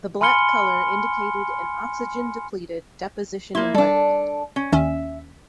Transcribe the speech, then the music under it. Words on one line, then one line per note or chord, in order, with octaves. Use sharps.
The black color indicated an oxygen depleted deposition environment.
G#5 B5 C6 F6 C#7 G7
A#3 E4 C6
G3 D4 A4
C#4
D#2 D#3 C#4 E5